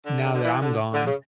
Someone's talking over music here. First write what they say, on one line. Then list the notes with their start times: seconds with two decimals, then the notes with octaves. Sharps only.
now that I'm gone,
0.05 D3
0.22 C#3
0.33 D3
0.43 E3
0.61 D3
0.94 D3
1.06 C#3